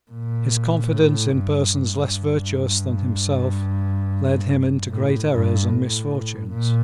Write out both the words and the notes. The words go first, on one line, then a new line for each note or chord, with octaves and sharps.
His confidence in persons less virtuous than himself led him into great errors and misfortunes.
A#2
A2
G2
G2
A2
G2
A2
A#2